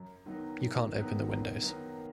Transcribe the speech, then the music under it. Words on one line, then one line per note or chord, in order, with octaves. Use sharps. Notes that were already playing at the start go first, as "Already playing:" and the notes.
You can't open the windows.
Already playing: F#2
D#3 F#3 B3 D#4
F#2
D#3 F#3 B3 D#4
F#2
D#3 F#3 B3 D#4